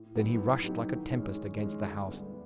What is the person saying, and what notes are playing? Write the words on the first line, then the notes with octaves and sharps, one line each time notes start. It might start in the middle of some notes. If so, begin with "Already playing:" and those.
Then he rushed like a tempest against the house.
Already playing: A2
F#3 B3 D#4 G4
A2
F#3 B3 D#4 G4
D#3
G#3 C#4
D#3
G#3 C#4
D2
D3 G3 B3